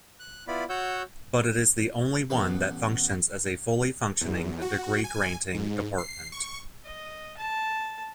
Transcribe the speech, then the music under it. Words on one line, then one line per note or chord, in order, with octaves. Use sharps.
But it is the only one that functions as a fully functioning, degree-granting department.
F#6
B3 E4 F4 D5 B5
F#4 C#5 F#5 E6 G6
A1 B2 G3 B3 B5
E2
F#4
G#5
G#2
C7
C#6
D#5
A5